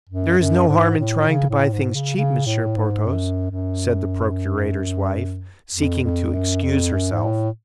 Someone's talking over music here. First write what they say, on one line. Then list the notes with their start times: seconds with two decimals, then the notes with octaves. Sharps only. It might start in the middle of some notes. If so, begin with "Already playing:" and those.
"There is no harm in trying to buy things cheap, Monsieur Porthos," said the procurator's wife, seeking to excuse herself.
0.09 F#2
0.39 F#2
0.68 G#2
0.99 A2
1.28 C#3
1.50 A2
1.73 G#2
1.94 C#3
2.17 C#3
2.47 A2
2.76 G#2
3.06 F#2
3.51 F#2
5.74 F2
6.04 F2
6.34 F#2
6.63 F2
6.93 F#2
7.13 G#2
7.23 A2